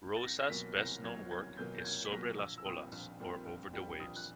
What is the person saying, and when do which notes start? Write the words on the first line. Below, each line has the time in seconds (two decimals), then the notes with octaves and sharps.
Rosas's best known work is "Sobre las Olas" or "Over the Waves".
0.16 A6
0.22 C2 A#6
0.40 A#6
0.49 B2 F#3 A#3 B6
0.76 C2 A#6
1.04 B2 F#3 A#3 G#6
1.31 C2 G#6
1.57 B2 F#3 A#3 G6
1.78 G6
1.85 C2 G#6
2.06 B6
2.12 B2 F#3 A#3 A#6
2.38 A#1 E6
2.58 E6
2.66 A#2 G3 C4 D#6
2.92 A#1
3.20 A#2 G3 C4
3.46 A#1
3.73 A#2 G3 C4
4.00 A#1 D#6
4.16 F#6